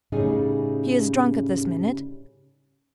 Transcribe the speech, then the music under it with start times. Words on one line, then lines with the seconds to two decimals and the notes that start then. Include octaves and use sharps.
She is drunk at this minute.
0.12 A2 C#3 G3 C#4 D#4 G#4